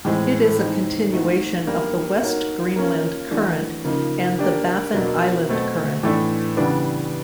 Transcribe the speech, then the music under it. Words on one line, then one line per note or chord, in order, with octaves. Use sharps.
It is a continuation of the West Greenland Current and the Baffin Island Current.
A2 E3 G#3 C4
E3 G#3 C4 D#4
A3 C4 D#4 F#4
G3 A#3 D4
A#3 D#4 F#4 A#4 C#5
A#3 C#4 F4 A#4
E3 A3 D4 F#4
C#3 F3 A#3 D#4
A#3 D4 G4
B2 F#3 A#3 D4
B2 F#3 A3 C4
A2 E3 A3 D4
C#3 E3 G3 B3 D4